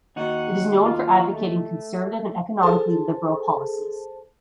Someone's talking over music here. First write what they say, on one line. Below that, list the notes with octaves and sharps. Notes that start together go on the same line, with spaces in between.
It is known for advocating conservative and economically liberal policies.
D#2 D#4 F#4 F#5
F4
A3
G#4 A4 C5 A5